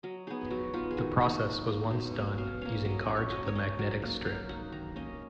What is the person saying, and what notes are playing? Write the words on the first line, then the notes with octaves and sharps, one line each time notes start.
The process was once done using cards with a magnetic strip.
F#3 D#5
B3 D#4 G#4
F#3 F#4
B3 D#4 F4
G#4
D#3 F#4
A#3 D#4 F#4
D#3
A#3 D#4
B2
A#3 C#4
B2 F5
A#3 C#4 F5
F#3 D#5
D#5
C#4
C#5
F#3 D#5
C#5
C#4 D#5
F#3
A#3 D#4
F#3 F5
A#3 D#4 F#5
D#3 A#5
A#3 C#4 D#5